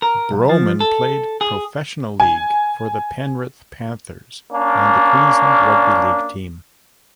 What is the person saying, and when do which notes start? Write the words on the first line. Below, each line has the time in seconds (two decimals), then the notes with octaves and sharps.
Brohman played professional league for the Penrith Panthers and the Queensland rugby league team.
0.02 A#4
0.31 B1
0.49 F3
0.80 A4
1.41 G#4
2.20 G#5
4.52 A#3 C#4 D4